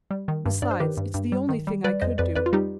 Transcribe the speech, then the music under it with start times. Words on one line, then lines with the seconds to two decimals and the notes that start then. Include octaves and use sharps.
Besides, it's the only thing I could do.
0.11 G3
0.28 D#3
0.46 G2
0.62 G2 D5
0.71 C5
0.80 D#3 G4 B4
0.97 G2
1.14 G2
1.32 G3
1.49 D#3
1.67 G3
1.84 G3 B4 D5
2.01 F2 C5 D#5
2.18 F2 B4 D5
2.35 F2 B4 D5
2.46 F4
2.53 G3 D#4 G4